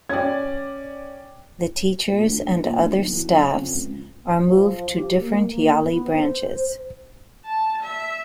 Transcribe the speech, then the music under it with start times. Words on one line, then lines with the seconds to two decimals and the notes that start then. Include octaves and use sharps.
The teachers and other staffs are moved to different Yali branches.
0.09 C#4 D5 G5 G#6
2.12 A#2
2.24 D2
2.38 D3
2.50 G1
2.64 A#2
2.78 D2
2.96 B1
3.12 E2
3.27 F#2
3.42 C#3
3.56 F2
3.75 C#2
4.42 F3
4.96 G4
5.19 A#3
5.50 A#3
5.83 B3
6.15 C5
7.44 A5
7.82 E5